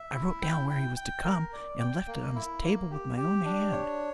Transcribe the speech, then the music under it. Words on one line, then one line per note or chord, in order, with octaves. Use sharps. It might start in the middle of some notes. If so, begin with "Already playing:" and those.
I wrote down where he was to come, and left it on his table with my own hand.
Already playing: E5
E4
G5
G5
G5
A#4
D5
G5
A#3
E4
A#3
G4
G4
D4
C#5